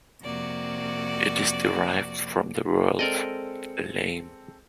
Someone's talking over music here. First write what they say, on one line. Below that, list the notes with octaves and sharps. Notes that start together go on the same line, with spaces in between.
It is derived from the word "lame".
F2 C3 A#3 F#4 D5
G#3 C4 A4 A#4 D5 D#5